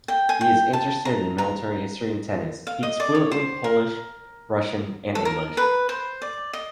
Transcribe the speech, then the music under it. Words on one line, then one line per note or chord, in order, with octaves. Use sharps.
He is interested in military history and tennis; speaks fluently Polish, Russian and English.
G5
G#5
G5
A5
A#5
A#5
F5
D#5
D5
C#5
C5
A#4
A4
A#4
B4
C5
D5
D#5